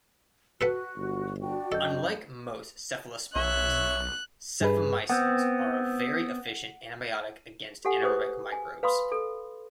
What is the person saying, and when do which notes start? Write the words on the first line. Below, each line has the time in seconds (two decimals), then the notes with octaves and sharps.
Unlike most cephalosporins, cephamycins are a very efficient antibiotic against anaerobic microbes.
0.61 F#4 A4 B4 F#5 F#6
0.96 G1
1.40 D4 F#4 G5
1.72 F#2 A4 D#5 G6
3.36 B1 C#5 E5 F#6
4.61 G2 G#4 B4
5.09 B3 C4 F#5
7.85 G4 A4 F#5 G#5
8.02 G#4 B4 C5 D#6
8.52 G#5
8.83 B4 F5 B5 C6 D#6
9.12 A4